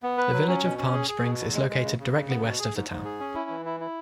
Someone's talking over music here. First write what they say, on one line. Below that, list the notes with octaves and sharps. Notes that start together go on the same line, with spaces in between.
The Village of Palm Springs is located directly west of the town.
B3
B4
F#3
C#4
B2
C#4
G#4
G#4
B2
E2
G#3
G#3
C#3
C#3
C#3
B3
B2
G#4
G#2
G#2
G#4
C#4
E4
E3
E4
E4